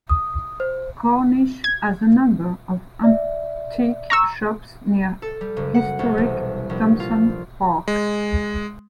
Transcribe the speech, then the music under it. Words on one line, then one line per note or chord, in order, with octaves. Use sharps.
Cornish has a number of antique shops near historic Thompson Park.
D#6
C5
G#6
D5 E5
A#5 C#6 E6
A4
G3
F#1
F#5
C2
E1
A#1
F4
G#3